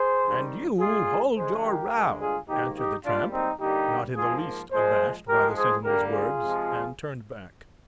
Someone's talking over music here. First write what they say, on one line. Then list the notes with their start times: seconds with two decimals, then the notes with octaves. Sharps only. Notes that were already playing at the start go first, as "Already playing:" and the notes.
"And you hold your row," answered the tramp, not in the least abashed by the sentinel's words, and turned back.
Already playing: G#4 C5
0.24 C3 D#3 G3
0.80 A#2 G#3 F4 G#4
1.36 D3 F3 G#3 G#4 C5
1.64 G4 A#4
1.92 G2 D3 G#3
2.20 F4 G#4
2.48 G#2 D#3 A#3 D#4 G4
2.76 D#4 G4
3.04 G#2 G3 A#3 D4 F4
3.32 C4 D#4
3.60 D3 G3 A#3 D#4 G4
4.16 G#2 F3 A#3 F4 G#4
4.72 A#2 F3 G#3 G#4 C5
5.28 G#2 F3 G#3 G4 A#4
5.56 G#4 C5
5.84 D3 G3 A#3 G4 A#4
6.12 F4 G#4
6.41 C3 F3 G#3